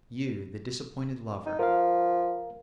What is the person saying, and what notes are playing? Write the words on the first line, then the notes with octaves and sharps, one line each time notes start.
'You, the disappointed lover?
D#4
F3 A#4 F5